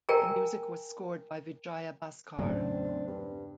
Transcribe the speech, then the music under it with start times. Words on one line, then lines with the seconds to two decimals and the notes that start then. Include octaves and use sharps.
The music was scored by Vijaya Bhaskar.
0.09 A#4 G5 G#5 A#5
2.39 E2 A2 C#3 F#3 C4 D4
3.07 G2